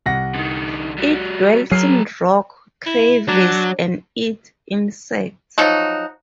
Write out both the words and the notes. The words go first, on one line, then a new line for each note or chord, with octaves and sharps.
It dwells in rock crevices and eats insects.
C2 F#5 A#6
D3 D#4
G3 F#4
F#3 G#4 A#4 F6 C7
E4
F#3 D4
F3 F#3 D#4 F#4